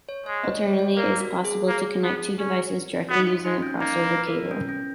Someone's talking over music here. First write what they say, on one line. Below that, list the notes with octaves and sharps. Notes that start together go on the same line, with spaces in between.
Alternatively it is possible to connect two devices directly using a crossover cable.
C#5
G#3 C#5
D#5
C#5
C#5
A#3 A#4
F#4
G#4
A#3
B3
C#4
B3 F#4
D#4
F4
G#3 D#4
C#4
A#3 D#4
B4
A#4
C#4
C#4